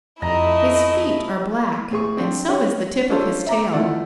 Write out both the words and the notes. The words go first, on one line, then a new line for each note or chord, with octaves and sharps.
His feet are black and so is the tip of his tail.
F2 A3 E4 D#5 A#5
A2 G#4 C#6
C4 D4
C#4
C#4 D4 F4 A4 C5
E5 A#5 D6
E3 F3 A3 D5 F#5